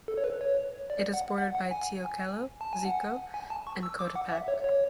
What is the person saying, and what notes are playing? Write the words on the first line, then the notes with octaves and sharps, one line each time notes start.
It is bordered by Teocelo, Xico and Coatepec.
A4
C#5
B4
C#5
D5
F#5
F#5
F#5
G#5
A5
G#5
F#5
G#5
A5
C#6
E6
D6
F#5
E5
C#5
C#5